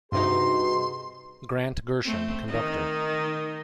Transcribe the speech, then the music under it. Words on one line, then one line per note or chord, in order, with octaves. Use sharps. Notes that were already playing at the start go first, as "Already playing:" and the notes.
Grant Gershon, conductor.
G2 C3 D#4 F#4 G#4 B4 C6
A3 C4
D#3 D#4